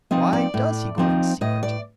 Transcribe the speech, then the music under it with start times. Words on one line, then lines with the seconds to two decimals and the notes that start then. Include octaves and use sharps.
Why does he go in secret?
0.11 F3 C4 D#4 D#5
0.33 D5
0.54 A2
0.98 F3 C4 D#4
1.41 A2 D#5
1.63 D5